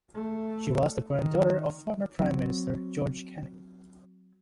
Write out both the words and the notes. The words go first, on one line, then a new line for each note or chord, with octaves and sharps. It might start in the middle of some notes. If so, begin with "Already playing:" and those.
She was the granddaughter of former Prime Minister George Canning.
A3
D#3
F#3 C4